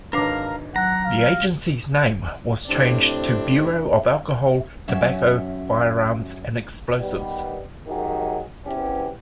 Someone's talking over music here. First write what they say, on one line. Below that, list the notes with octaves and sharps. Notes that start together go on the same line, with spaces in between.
The agency's name was changed to Bureau of Alcohol, Tobacco, Firearms, and Explosives.
G#1 D3 A#4 B4 C#5 F5 A#5 D6
F#3 F#5 A#5 F#6
F5
A2 C3 C4 D4
F#2 C#4 E5
D#3 G3 B3
F#2 D#3 F#3 D#4 G4 G#4
E2 C3 E3 B3 C#4 G4